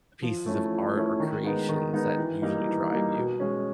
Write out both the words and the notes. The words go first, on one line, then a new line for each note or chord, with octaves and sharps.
pieces of art or creations that usually drive you.
F3
A3 C#4 E4
F3
A3 C#4 E4
D#3
G#3 B3 D#4
D#3
G#3 B3 D#4
E3
G3 A#3 D#4
E3
G3 A#3 D#4
B2
G#3 C#4